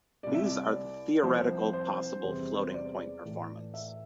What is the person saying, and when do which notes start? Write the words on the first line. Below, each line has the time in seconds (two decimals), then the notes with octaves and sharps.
These are the theoretical possible Floating Point performance.
0.23 C2 C3 G3 D5
0.34 E5
0.46 D5
1.23 C2 C3 F3 C5
1.73 C5
2.23 E2 C3 G3
2.67 C5
2.74 D5
3.24 A2 E3 A3
3.74 E5